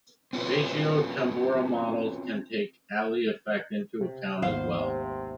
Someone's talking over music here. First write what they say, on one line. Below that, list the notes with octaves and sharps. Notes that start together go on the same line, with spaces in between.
Spatio-temporal models can take Allee effect into account as well.
C4 C#4 F4 F#4 B4
C3
G#1 D#2 B3 C5 F5
C3